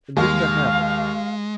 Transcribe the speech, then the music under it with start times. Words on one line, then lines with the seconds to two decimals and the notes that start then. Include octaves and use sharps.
And then the habit!
0.17 D#2 G#3 F5